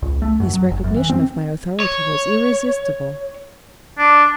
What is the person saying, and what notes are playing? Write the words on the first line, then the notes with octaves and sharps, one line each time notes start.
This recognition of my authority was irresistible.
C#2
A3
F#2
F#3
F#1
F#2
E3
C4
C#5
D4